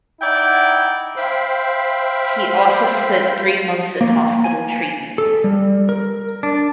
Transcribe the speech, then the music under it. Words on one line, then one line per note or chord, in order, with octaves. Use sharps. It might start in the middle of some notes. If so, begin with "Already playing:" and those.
He also spent three months in hospital treatment.
D#4 E4 D5 F#5 G5
C5 E5 F5 G5 B5
A#3
G#5
A4
G3
A#4
D4